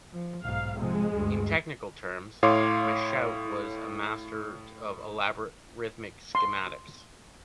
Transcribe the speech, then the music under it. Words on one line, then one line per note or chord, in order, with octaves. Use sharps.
In technical terms, Machaut was a master of elaborate rhythmic schematics.
F3
B1 G#2 F5
C3 F3 G#3
D2 G2
A2 C#5 F5 C6 D6
C6